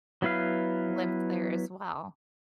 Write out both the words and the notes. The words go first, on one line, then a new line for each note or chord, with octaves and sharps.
lived there as well.
F#3 B3 E4 B4 F5